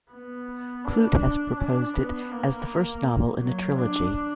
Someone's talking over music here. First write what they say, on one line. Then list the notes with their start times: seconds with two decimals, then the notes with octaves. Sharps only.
Clute has proposed it as the first novel in a trilogy.
0.11 B3
0.85 D4
1.58 D4
1.95 B3
2.31 A#3
3.40 F#3
3.77 D4